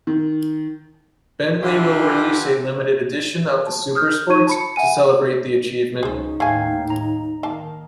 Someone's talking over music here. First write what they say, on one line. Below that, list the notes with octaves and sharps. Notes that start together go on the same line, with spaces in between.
Bentley will release a limited edition of the Supersports to celebrate the achievement.
D#3
D3 E3 F4 G4
A5
D#6 F6 G6
D#4 C#5 C#6 G#6 D#7
A5 B5 C#7
E5 F#5 G#5 D#7
C#2 F#3 C#4 D#4 G#4 C5
D#2 A2 A3 F5 G5 G#5 G#6
A#5
D#3 A#3 F5 A5